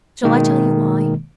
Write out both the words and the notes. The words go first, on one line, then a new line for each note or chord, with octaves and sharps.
Shall I tell you why?
B2 D#3 G#3 A#3